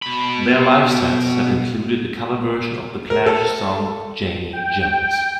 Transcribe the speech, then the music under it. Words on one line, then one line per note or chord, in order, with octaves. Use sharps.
Their live sets have included a cover version of The Clash's song, "Janie Jones".
B2 B5
A#4
A4
G5